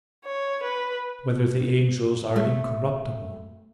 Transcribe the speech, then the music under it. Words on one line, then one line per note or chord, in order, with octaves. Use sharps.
Whether the Angels Are Incorruptible?
C#5
B4
A3